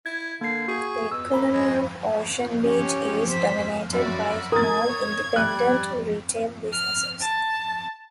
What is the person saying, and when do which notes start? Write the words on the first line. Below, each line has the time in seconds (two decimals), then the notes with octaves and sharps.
The economy of Ocean Beach is dominated by small, independent retail businesses.
0.06 E4 G#6
0.41 D3 A#3 C7
0.68 F#4 G#4
1.12 B2 E6
1.31 A#3 C5 B5
1.53 G#3
2.62 C#4 G4 C#5
3.29 C5 B6
3.93 F#2 F#4 D5 B5
4.52 A#4 D#6 G#6 A6
4.89 C#5
5.36 G3 D5 F#6
6.73 F6
7.21 A5